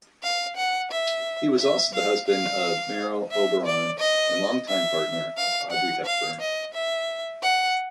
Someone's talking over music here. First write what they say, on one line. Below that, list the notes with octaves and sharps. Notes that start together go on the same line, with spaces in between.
He was also the husband of Merle Oberon and longtime partner of Audrey Hepburn.
F5
F#5
E5
E5
F5
F5
E5
D5
D#5
E5
F5
F#5
F5
D#5
E5
F#5